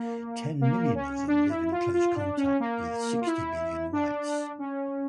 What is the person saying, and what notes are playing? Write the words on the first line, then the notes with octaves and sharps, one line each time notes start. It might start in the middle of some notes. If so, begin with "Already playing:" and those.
Ten million of them live in close contact with sixty million whites.
Already playing: A#3
A#3
C#4
D4
E4
F4
F4
D4
C#4
A#3
F4
E4
D4
C#4